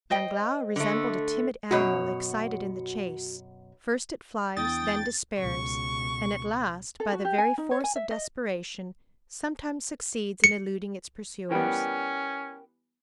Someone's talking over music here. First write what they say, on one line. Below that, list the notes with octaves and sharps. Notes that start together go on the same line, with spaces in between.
Danglars resembled a timid animal excited in the chase; first it flies, then despairs, and at last, by the very force of desperation, sometimes succeeds in eluding its pursuers.
C5 D#5 G5
D3 A3
F#2 B2 F#4 C#5
E2 D4 G5 D#6 A6
C#2 B2 C#6
A4
F#4
G4
G#5
D#4
C#5
G#5
E5
D#5
C#7
E3 G3 B3 C#4 A#4 G5